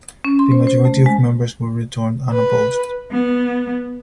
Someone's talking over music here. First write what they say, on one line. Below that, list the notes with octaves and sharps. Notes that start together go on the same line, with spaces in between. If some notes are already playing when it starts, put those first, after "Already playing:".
The majority of members were returned unopposed.
C#4
C6
C5
C5
A3
G#3
B4
B3